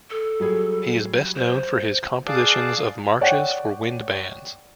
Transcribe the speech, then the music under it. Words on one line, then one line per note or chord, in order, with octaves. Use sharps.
He is best known for his compositions of marches for wind bands.
A4
F#3 G3 G#4
C5
G#4 D5 F5 A5 D6 F#6
C#5 D5 F#5 G5